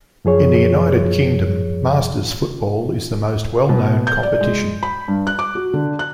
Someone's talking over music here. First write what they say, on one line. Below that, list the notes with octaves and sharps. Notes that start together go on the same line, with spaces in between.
In the United Kingdom, Masters Football is the most well-known competition.
F#2 F3 G#4 C#5
B2
G6
D5
G#3
B5
G2
F#6
D6
F#4
D3
F#6